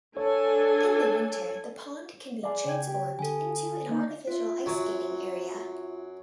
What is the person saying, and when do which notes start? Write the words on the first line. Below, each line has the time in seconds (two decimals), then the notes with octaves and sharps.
In the winter, the pond can be transformed into an artificial ice skating area.
0.17 D4 A4 C#5 G#5
2.43 G#4 D5
2.65 C#3 G5 G#6
2.87 G4
3.19 D3 A4 G#5
3.89 A#3 D#4
4.27 F4 E5
4.66 F#2 F#3